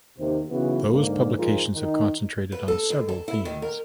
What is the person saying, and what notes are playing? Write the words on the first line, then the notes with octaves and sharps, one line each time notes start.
Those publications have concentrated on several themes.
D#2 C3
B1 C#3 E3 B3 F#4
G#2 D3 A#3
G#2 F3 D#4 F4 G#4 A#4
D#3 D#4
B4
A4
D#2
A4
E4
D#3
A#4